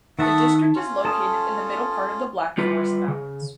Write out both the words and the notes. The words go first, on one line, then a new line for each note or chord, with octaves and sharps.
The district is located in the middle part of the Black Forest mountains.
D#3 A3 E5 F#5 A5 D#6
C#4 F4
A4 A5 D#6
G3 F4 B4
C#3